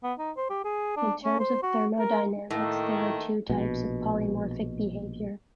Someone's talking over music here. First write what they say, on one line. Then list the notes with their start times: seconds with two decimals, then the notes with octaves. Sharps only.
In terms of thermodynamics, there are two types of polymorphic behaviour.
0.03 B3
0.19 D#4
0.37 C5
0.50 G4
0.65 G#4
0.97 D4
1.24 C#4
1.40 C5
1.63 F#4
1.99 A#4
2.50 A2 D#3 A3 A#3
3.50 A#1 B2